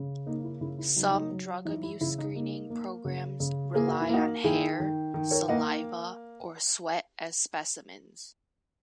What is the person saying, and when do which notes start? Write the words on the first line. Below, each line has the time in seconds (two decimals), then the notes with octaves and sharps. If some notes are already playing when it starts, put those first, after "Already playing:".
Some drug abuse screening programs rely on hair, saliva, or sweat as specimens.
Already playing: C#3
0.26 A#3 D#4
0.44 E4
0.61 C#3 E4
0.79 E4
0.96 F#3 D#4
1.11 D#4
1.31 F#3
1.65 E3 D#4
1.83 E4
2.01 C#3 E4
2.18 D#4
2.36 A#3 D#4
2.70 A#3
3.05 C#3
3.40 C#3
3.75 A#3 G#4
3.88 F#4
4.01 E4
4.09 A#3 D#4 F#4
4.44 D#3 E4 G#4
4.80 D#3
5.14 D#3
5.31 A#4 C#5
5.48 A#3 D#5 F#5